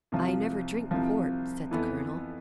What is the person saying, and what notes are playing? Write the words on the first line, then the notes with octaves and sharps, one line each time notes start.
"I never drink port," said the colonel.
C2 C3 F3
C2 C3 F3
F2 E3 B3 E4 A4